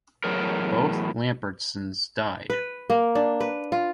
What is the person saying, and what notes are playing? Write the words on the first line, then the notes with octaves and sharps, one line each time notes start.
Both Lambertsons died.
E2 A2 F#3 G#4 A#4
B4
A#3
D4
B4
F4